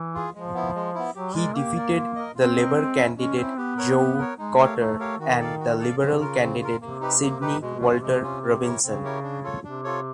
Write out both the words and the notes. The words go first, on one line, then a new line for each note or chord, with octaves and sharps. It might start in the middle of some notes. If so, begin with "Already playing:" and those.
He defeated the Labour candidate Joe Cotter and the Liberal candidate Sydney Walter Robinson.
Already playing: E3
F4 G#4
F3 G#3
B3 E4
G#3
B3 E4
F#3 G4
G#3 A#4 D5
A#3 G4
A#4 D5
F4
A#4 D#5
C4 F4
A#4 D#5
G#3
C#4 E4
G#3 C#4
C4 C#4 E4
B3 G4
A#4 C#5
G4
A#4 C#5
G#3 D#4
A3 G4 A#4 C#5 F5
A3 D#4
G4 A#4 C#5 F5
D#3 F#4
A4 D5 F5
F#4
A4 D5 F5
C#3 C4
F4 A#4
C4
F4 A#4
C3 A#3
D#4 G4 B4
A#3
D#4 G4 B4
B2 G#3
B2
C#4 F4
B2
C3 G#3
C#4 F4
C4
E4 G4 A#4 C#5
C#3 C4
E4 G4 A#4 C#5
D4
F4 A4 C#5
C3 D4
F4 A4 C#5